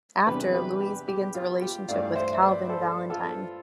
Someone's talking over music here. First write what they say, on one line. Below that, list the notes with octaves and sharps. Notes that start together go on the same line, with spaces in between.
After, Louise begins a relationship with Calvin Valentine.
E2 C3 G3 D4 G4 B4
G4 B4
G4
G4
F4
G4
G2 E3 A3 D4 D5 F5
F5
C5 E5
E5
B4 D5
A4 C5
F4 A4